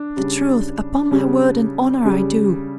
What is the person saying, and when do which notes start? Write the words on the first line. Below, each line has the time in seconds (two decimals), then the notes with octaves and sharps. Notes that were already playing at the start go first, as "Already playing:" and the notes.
'The truth, upon my word and honour I do.
Already playing: D4
0.16 C#3 G3
1.11 C#3 G3
2.05 C#3 G3